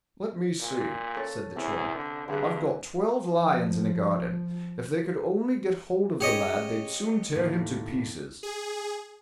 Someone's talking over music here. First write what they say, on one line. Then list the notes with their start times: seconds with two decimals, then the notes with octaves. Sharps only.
'Let me see', said the Troll; 'I've got twelve lions in a garden; if they could only get hold of the lad they'd soon tear him to pieces.'
0.60 A#2
1.16 C#4 A4 C#5
1.56 E2 C3
1.95 D3
2.28 G2 D3 G#4 F#6
3.41 F3
6.21 C#4 G4 G#4 C#5 D#5
7.35 D#2 A2
8.43 G#4